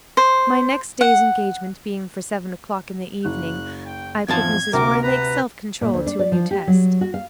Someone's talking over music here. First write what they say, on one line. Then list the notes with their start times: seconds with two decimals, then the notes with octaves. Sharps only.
My next day's engagement being for seven o'clock in the evening, I put Mrs. Roylake's self-control to a new test.
0.17 C5
1.01 F#5
3.25 F#1 F#6
3.86 G5
4.28 G#1 E2 F3 A5 G#6
4.73 D2 C3 A#4 D6
5.03 B4 A#5
5.81 A#2
5.94 D2
6.06 D4
6.19 D5
6.32 F3
6.51 G4
6.67 F#3
7.01 F#4
7.14 F5